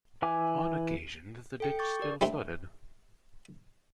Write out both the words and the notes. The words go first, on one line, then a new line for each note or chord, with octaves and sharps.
On occasions the ditch still flooded.
E3 E5 G#5 D6
A4 G5 C#7
C#6 D6 G6 A6
G4 A#4 D5
G3 A3 C4 D4 G4